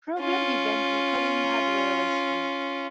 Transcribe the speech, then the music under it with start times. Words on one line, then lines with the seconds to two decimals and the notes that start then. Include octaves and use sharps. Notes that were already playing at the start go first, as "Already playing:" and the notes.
Program Event Recording hardware was used.
0.20 C#4 F4